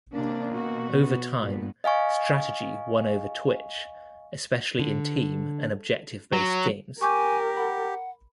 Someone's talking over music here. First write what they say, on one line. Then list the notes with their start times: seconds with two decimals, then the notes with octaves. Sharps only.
Over time, strategy won over twitch, especially in team- and objective-based games.
0.14 C3 A#3 C#4 D4
0.52 B2 F#4
0.91 B3
1.40 G2 A#2 B3
1.84 D#5 F5 G#5 C#6
4.79 D3
6.33 F#3
7.01 G4 A#4 G#5 C#6 D6 G6
7.57 F#5 B5